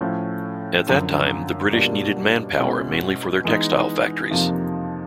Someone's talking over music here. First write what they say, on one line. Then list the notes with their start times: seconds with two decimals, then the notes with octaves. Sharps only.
At that time, the British needed man-power mainly for their textile factories.
0.01 A2 F3 A3 C#4
0.87 F#2 D3 F3
1.72 B2 G3 A#3 D4 F4
2.58 B2 G#3 C#4 E4
3.44 E3 G#3 B3 D#4
4.30 F2 C3 F3 A#3 D#4